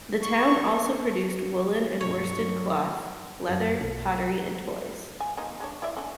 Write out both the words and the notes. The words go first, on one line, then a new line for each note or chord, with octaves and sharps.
The town also produced woolen and worsted cloth, leather, pottery, and toys.
C#6
G2 B2 F#3 C#5
F#2
B1
G#5
A#3 C4 D#4
G#3 D4 C#5
E4 D5 E5
D3 C#4